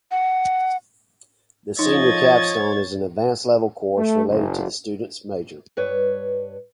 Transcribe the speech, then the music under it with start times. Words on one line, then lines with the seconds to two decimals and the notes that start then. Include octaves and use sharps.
The Senior Capstone is an advanced-level course related to the student's major.
0.11 F#5
1.79 F3 D#4 C#5 D#5 G#6 A6
3.97 A3
4.28 F#1
5.77 G2 B4 C#5